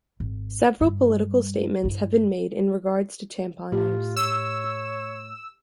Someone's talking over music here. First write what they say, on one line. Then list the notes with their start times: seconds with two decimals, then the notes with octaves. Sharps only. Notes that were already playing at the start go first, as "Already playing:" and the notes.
Several political statements have been made in regards to tampon use.
0.20 G#1
0.81 G2 G3
1.84 G2 E4
3.72 A2 F4 G4
4.16 C#5 E6